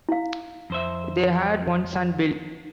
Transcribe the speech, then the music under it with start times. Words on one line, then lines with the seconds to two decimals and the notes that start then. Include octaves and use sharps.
They had one son, Bill.
0.09 E4 F5
0.70 F2 C5 E5